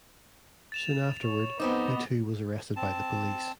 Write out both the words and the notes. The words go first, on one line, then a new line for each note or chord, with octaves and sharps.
Soon afterward, he too was arrested by the police.
A6 E7 F7
C#5
F2 B3 C4 D#4 D#5 D6
C4 A5